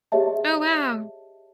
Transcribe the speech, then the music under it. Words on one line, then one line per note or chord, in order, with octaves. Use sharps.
Oh, wow.
G4 G#4 C#5 D#5 E5 A5